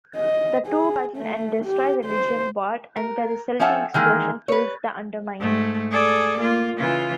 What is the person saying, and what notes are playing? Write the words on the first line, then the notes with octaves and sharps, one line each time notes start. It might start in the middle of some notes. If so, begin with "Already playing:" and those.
The two battle and destroy the Gilgenbot, and the resulting explosion kills the Underminer.
D#5
G#4
A3
G4
C5
A#4
F3 C#4 A4 E5 F#5 G5
D#3 E3 G#3 A#3
B4 C#5
G#2 A3
G#4 A4 D5
A#3 F4
C#3 E3 F4